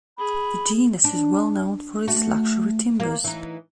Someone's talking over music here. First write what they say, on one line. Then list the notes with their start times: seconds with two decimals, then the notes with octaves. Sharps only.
The genus is well known for its luxury timbers.
0.18 G#4 B5
1.04 D4
2.08 A3 F#4
3.00 A#3
3.24 E3 D#4